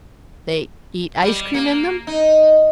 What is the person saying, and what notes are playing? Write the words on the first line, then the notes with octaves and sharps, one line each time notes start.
"They eat ice-cream in them?"
G3
A#3
D#4